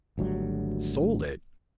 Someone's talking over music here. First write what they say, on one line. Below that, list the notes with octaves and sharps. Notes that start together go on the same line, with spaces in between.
Sold it!
G#1 D2 F#3 G3